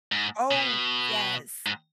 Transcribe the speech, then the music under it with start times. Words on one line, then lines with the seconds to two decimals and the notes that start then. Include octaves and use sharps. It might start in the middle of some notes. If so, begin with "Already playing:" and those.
Oh, yes.
0.12 G#2
0.51 B2
1.66 G#2